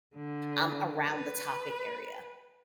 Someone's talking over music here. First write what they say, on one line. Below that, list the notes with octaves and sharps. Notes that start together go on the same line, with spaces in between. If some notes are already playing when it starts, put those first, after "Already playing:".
um, around the topic area.
D3
B4